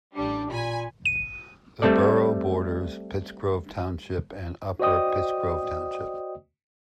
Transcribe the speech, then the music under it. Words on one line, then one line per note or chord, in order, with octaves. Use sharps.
The borough borders Pittsgrove Township and Upper Pittsgrove Township.
A1 G3 D4
A#2 G#5 B5
D#7
G3 A3 C4 A4 D5
F#4 C5 D5 D#5 G5 D#6